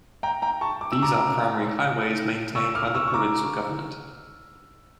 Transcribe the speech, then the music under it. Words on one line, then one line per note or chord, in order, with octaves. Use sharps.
These are primary highways maintained by the provincial government.
G5 A#5
G5 A#5
A5 C#6
D6
E6
A#5 D6
C#6 E6
D6 F6
C#6 E6
C#6
A#5 D6